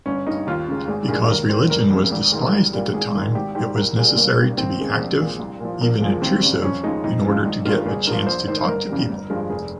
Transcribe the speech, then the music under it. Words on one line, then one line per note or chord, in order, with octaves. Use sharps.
Because religion was despised at the time, it was necessary to be active, even intrusive, in order to get a chance to talk to people.
G1 C#4
G2 G3 D#4
D#2 F4
C#3 G#3
G#1 G#4
G2 D#3 G#3 G#4
D#2 A#4
D#3 G3 C5
F1 A#4
F2 C#3 G#3
G#1
G#2 D#3 G#3
C2
A#2 G3
G#1 G#4
G#2 D#3 G#3
G#1 G4
G#2 G3 G4
C2 A#4
A#2 G3 G#4
G1 A#3
G2 G3
D#2 C4
C#3 G#3
A#1
A#2 G#3
C2
A#2 F3
A#1 A#3
A#2 F3 G#3
D#2 C4
C#3 G3
F2 C#4
C#3 F3 G#3 D#4
F2 D#4
C#3 F3 G#3
G#1 D#4
G2 D#3 G#3 F4
G1 G#4
G2 F3 A#4
A#1 C5
G#2 D#3 C5
C5
G1 A#4
F2 C#3 G3
G1
G2 F3 G#3
F1 G#4